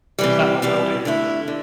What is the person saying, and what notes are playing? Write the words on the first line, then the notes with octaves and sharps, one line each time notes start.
it's not my world here, and
C3 E3 G3
C3 E3 G3
D3 A3 E4
D3